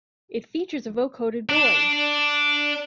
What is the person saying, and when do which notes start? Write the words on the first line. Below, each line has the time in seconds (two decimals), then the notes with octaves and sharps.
It features a vocoded Boy!
1.49 D4